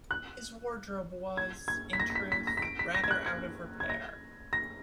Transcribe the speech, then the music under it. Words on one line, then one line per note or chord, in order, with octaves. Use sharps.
His wardrobe was, in truth, rather out of repair.
F#6
G#6
G#6
B6
A#6
A#6
B6
B6
A#6
B6
D7
B6
A#6
G#6
F#6
G#6
G#6
A#6
A#6